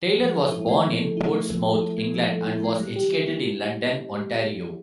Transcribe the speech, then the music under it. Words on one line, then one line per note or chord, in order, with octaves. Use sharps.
Taylor was born in Portsmouth, England, and was educated in London, Ontario.
F3
A4
E4
A3
F3
A4
E4
A3
F3
A4
E4
A3
F3
A4
E4
A3
G3
G4
E4
A#3